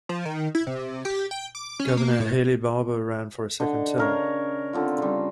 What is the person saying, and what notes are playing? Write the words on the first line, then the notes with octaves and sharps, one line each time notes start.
Governor Haley Barbour ran for a second term.
F3
D#3
E4
C3
G4
G5
D6
C#4
A#3
A2
D3 D#5
C#3 A#4 C#5
D3 C4 F4
C#3 G3